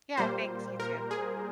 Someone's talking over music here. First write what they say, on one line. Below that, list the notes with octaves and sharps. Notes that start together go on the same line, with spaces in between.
Yeah, thanks, you too.
A#2 G3 A#3 C5
A#4
G#4